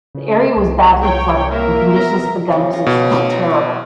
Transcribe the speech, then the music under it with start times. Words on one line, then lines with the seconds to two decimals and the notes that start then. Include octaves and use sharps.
The area was badly flooded and conditions at the gun positions were terrible.
0.15 C#3
0.57 C2
1.03 C#5 G5
1.52 A#3 A#4 E5
1.96 B3 A#5
2.52 C#3 F3
2.73 C#3 F4 A#5
2.86 B2
3.30 E4 E5 A#5
3.50 E3 B3